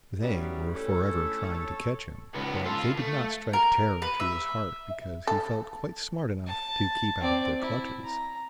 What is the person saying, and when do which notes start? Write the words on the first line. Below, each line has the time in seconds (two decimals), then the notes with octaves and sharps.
They were forever trying to catch him, but they did not strike terror to his heart because he felt quite smart enough to keep out of their clutches.
0.21 F#3 G3 A3 B3 C#4 F#4
0.74 A3 C#4 E4 A4
1.53 A4 C#5
2.35 C#2 B3
2.65 F4 A4
2.98 A3
3.53 A#4
4.02 B4
4.20 E5
5.27 A4
6.46 A5
7.20 C4 D5
7.60 E4
8.03 A#5